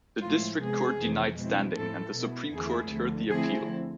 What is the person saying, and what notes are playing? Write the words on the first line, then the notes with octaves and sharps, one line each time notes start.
The district court denied standing, and the Supreme Court heard the appeal.
A2 F3 G#3 C4 E4 F4
C3 G#3 B3 G#4
F2 C3 E3
B2 G#3 C4 E4
A2 F3 G#3 C4 E4 A4
B2 B3 E4
E2 D3 A3 C4 E4 G#4
D2 D3 F3
D3 F3 A3 C4 E4 G#4